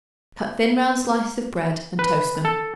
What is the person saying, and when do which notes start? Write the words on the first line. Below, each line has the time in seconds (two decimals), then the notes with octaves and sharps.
Cut thin round slices of bread and toast them.
1.99 B4
2.45 A4